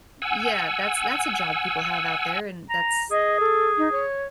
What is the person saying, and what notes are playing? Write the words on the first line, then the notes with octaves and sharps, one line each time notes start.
Yeah, that's that's a job people have out there, and that's, i i
F#5 G#5 E6
A#5
G#4 D#5
A4
D#4
C#5